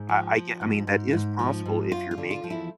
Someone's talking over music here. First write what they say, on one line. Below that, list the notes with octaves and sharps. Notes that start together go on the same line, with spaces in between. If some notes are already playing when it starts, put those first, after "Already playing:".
I I get I mean, that is possible if you're making
Already playing: G#2
F3
F3
G#2
G#2
G#2
F3
G#2
F#2 F4
F4
D3
F4
F3
E4